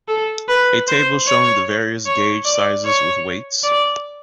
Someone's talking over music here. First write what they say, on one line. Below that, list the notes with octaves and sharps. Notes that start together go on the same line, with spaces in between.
A table showing the various gauge sizes with weights.
A4
B4
C5
C#5
C#5
D5
C#5
D5